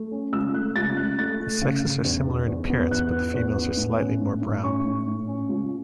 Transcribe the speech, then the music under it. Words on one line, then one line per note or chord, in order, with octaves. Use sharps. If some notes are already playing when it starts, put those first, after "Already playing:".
The sexes are similar in appearance but the females are slightly more brown.
Already playing: A3
C#4
C#2 E6
A3 F#6
C#2 A6
A6
C#2 F#6
A3 A6
A3
C#3
C#3
E2
E2
E2
B3
E2 F#6
B3
E2
B3
A2
C#4
A2
A2
C#4 C#6
A2
A2
C#4
C#2